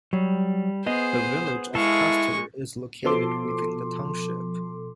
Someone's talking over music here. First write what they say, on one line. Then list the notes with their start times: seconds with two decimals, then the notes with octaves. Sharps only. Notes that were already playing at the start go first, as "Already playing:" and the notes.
The village of Custer is located within the township.
0.13 F#3 G3
0.86 B3 G#4 C5 D#5
1.75 G#3 E4 A4 F5 C#6
3.04 B2 F3 A4 C6 D6